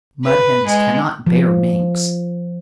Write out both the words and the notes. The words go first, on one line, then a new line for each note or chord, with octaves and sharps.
Mud Hens cannot bear Minks.
B4
G#3
F3